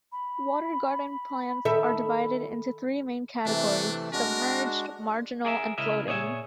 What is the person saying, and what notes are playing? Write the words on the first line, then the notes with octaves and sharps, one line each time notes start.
Water garden plants are divided into three main categories: submerged, marginal, and floating.
B5
D#3 A4 E5
C3 E3 A3 D4
G#3 D4 F#4 A#4
G#4 A#4 D5 E5
C#2 C#3 E4 A#4 D#5 E5
A#2 G#4 C#5 D5 E5